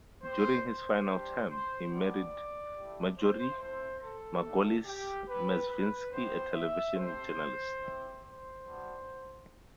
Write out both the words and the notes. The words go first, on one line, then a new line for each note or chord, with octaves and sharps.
During his final term he married Marjorie Margolies-Mezvinsky, a television journalist.
C4 G4 C5
C5
G3 D4 G4
C5
G3 B3 D4 F#4 D5
A3 E4 G4
C5
A3 C4 E4 C5
A4
A3 D4 F#4
G4
C4 G4 B4
B4
B3 E4 G4 C5
E5
A3 C4 G4 C5
C4 E4 G4
C5
G3 B3 D4 F#4